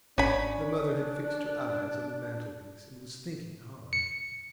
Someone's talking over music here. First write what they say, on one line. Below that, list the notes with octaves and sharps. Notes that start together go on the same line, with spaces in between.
The mother had fixed her eyes on the mantelpiece, and was thinking hard.
G#1 C#4 D4 B5
C#7